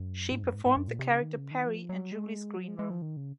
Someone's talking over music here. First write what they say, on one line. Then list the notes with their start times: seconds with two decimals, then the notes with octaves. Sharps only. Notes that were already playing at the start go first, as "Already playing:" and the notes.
She performed the character Peri in "Julie's Greenroom".
Already playing: F#2
0.32 G#2
0.43 F#2
0.54 G#2
0.66 G#2
0.77 F#2
0.88 A#2
0.99 C3
1.11 C#3
1.22 D#3
1.37 C#3
1.51 D#3
1.67 F3
1.89 F#3
2.12 G#3
2.57 F#3
2.68 G#3
2.79 G#3
2.90 F3
3.02 D#3
3.17 C#3